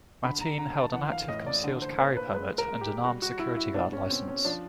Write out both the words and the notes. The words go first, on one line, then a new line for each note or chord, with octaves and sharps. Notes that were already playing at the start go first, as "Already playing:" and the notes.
Mateen held an active concealed carry permit and an armed security guard licence.
D3 B5
A#5
D3 A#5
A5
E3 F#5
F5
A2 D#5
D5
D3
C5
A#3 C5
B4
G#3 B4
A#4
G#3
G4
G3 F#4
F#4
G3 E4
E4
B2 D4
C#4
B2 C4
C#4
F3 D4